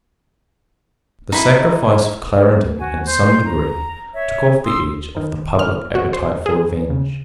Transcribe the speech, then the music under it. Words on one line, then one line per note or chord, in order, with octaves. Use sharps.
The sacrifice of Clarendon in some degree took off the edge of the public appetite for revenge.
D#4 E4
F#4 G#5
C5 C6 G6
A#5
C#5 E5
C6 D#6 E6
D#3
F6
F#4
C5
G#4
C#3